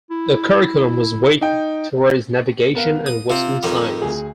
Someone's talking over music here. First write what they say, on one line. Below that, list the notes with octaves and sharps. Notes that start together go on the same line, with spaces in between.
The curriculum was weighed towards navigation and western science.
E4
D#4 G5
B3 A#4 F5
D#6
C3 C4 F4
F2 D#3 G3
D2 G#4